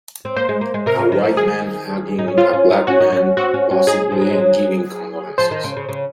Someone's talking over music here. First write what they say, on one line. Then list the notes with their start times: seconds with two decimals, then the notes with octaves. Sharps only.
A white man hugging a black man possibly giving condolences.
0.25 C4
0.36 A#3 C5
0.49 G#3
0.61 A#3
0.74 G#3
0.86 C3 A#4
0.99 C#3
1.12 D#3
1.24 F3
1.36 D#3 G#4
2.19 D#4
2.28 C#4
2.37 C4 F4
2.53 C#4
2.71 D#4
2.87 C#4 F#4
3.00 D#4
3.12 C#4
3.37 C4 F#4
3.54 C#4
3.71 C#4
3.87 D#4 G#4
4.12 F3
4.21 F#3
4.30 G#3
4.38 F#3
5.38 F3 C5
5.51 D#3
5.64 C#3
5.77 C#3
5.89 C#3